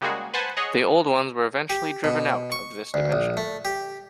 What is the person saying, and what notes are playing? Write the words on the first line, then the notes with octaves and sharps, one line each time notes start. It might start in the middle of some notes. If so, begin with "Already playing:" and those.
The Old Ones were eventually driven out of this dimension.
C#3 G3 G#3 A#3 F#4 G#4
B4 C5 F#5 G#5 A5
G#4 C#5 D#5 F#5
G4
B2
C#6
D2
A#1
A3
G4